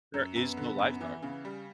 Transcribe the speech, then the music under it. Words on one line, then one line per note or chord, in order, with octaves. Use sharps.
There is no lifeguard.
F#2
F#2 B3
D3
F#2
E3
C#3
G3